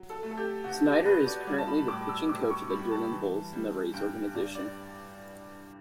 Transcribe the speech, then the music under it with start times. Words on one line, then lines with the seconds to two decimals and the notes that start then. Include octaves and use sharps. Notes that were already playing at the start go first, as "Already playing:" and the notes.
Snyder is currently the pitching coach of the Durham Bulls in the Rays organization.
Already playing: F#3
0.10 A4
0.23 A3
0.31 A4
0.37 G4
0.64 B2 F#4
0.85 G4
1.05 B2 B4
1.27 D5
1.47 G3 D5
1.58 A5
1.68 B5
1.88 A2 D6
2.09 E6
2.29 A2 D6
2.50 C#6
2.70 G3 B5
2.91 A5
3.12 E3
3.53 G3
3.94 G2 G5
4.34 G2 D5
4.55 D5